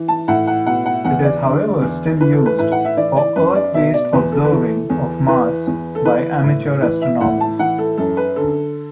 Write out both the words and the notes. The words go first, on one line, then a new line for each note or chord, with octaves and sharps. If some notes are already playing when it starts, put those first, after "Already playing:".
It is however still used for Earth-based observing of Mars by amateur astronomers.
Already playing: E3
A5
A2 F#5
F#5
B2 F#5
F#5
E2 F#5
D5
D3
E2
E3 B4
A4
B4
A2 B4
F#5
E5
E3 D5
D5
F#2 B4
D5
B2 E5
D5
E2 B4
A4
B4
E3 A4
E2
E3 B4
E2
A4
E3 B4
A2
E3 B4
E5
A2 F#5
A5
E3 F#5
A4
F#2 A4
B4
D3 A4